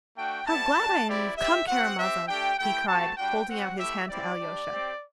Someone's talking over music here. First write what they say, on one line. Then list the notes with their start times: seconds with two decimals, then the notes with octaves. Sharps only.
"How glad I am you've come, Karamazov!" he cried, holding out his hand to Alyosha.
0.16 A3 D4 F#4 G5
0.47 G3 B3 E4 A5
0.77 G3 D4 F#4
1.07 G3 C4 E4 G4 D5
1.36 C4 G4 E5
1.67 C4 F#4 F#5
1.97 C4 G4 E5
2.28 A3 D4 G4 G5
2.57 A3 E4 G4 G5
2.87 A3 C4 F#4 A5
3.17 G3 D4 F#4 G5
3.47 C4 F#4 F#5
3.78 A3 E4 G4 E5
4.08 G3 C4 E4 G4 D5
4.39 G3 D4 G4
4.68 C4 G4